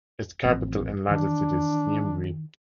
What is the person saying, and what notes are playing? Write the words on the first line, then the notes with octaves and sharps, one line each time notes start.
Its capital and largest city is Siem Reap.
A1 F3 C4
D#3 E3 D4